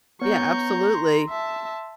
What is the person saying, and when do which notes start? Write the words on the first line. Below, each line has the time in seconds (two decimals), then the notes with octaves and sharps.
Yeah, absolutely.
0.21 B3 C#5 A#5 C#6 G6
0.95 C6
1.29 E5 A5